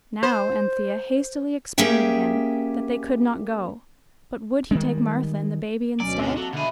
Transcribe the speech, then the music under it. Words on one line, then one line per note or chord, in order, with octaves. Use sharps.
Now Anthea hastily explained to him that they could not go, but would he take Martha and the Baby instead?
C5
A#3 C#4 G4 G#4 E5 G5
D#3 G3 G#3
D2 B2 F#3 C#4 D5
G#2 G#3 A#3 C4
F#3 F#4 A4 D#5
B2 D3 D4 E4 G#4 A4 B4